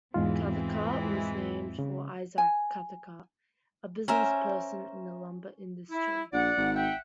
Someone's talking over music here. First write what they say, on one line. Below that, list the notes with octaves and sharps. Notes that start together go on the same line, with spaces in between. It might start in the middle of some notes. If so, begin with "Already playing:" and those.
Cathcart was named for Isaac Cathcart, a businessperson in the lumber industry.
E2 G#2 E3 G#3 C4 F4
C#3
G#5
C#4 A#4 C5 E5
E4
A#1 D5 F#5
G#1
E5 F#5 G5